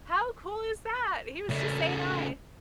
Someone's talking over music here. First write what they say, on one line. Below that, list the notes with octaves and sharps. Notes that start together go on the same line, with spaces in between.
How cool is that? He was just saying "Hi!" and
C#3 A3